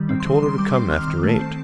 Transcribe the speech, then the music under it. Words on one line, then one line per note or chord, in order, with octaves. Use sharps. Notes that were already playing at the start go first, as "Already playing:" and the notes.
I told her to come after eight.
Already playing: D#3 G3
C4
C6
D#3
D#3 C6
G3 D6
C4
D#3 F6
D#3
A3
A5
C4